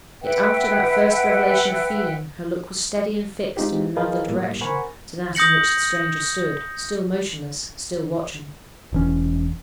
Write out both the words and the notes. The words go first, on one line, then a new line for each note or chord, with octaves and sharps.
Yet after that first revelation of feeling, her look was steady and fixed in another direction to that in which the stranger stood,--still motionless--still watching.
B4 E5 F#5 G5
G#3 C4 D#4 F4 G4
E4 G#4 A#4 B4 D#5 F5
A2 G3 A#3
A#4 C5 F#5 G#5 B5 C#6
D#6 G6 A#6 C#7 F#7
E1 E3 C#4